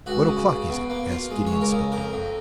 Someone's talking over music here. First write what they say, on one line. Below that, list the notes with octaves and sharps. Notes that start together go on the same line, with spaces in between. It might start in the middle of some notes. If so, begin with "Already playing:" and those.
"What o'clock is it?" asked Gideon Spilett.
C#2 F#4
C#3
C#3
B2
A#3
F4
G#3
C#5
C#2
A#4
C#3
F2 A#4
F2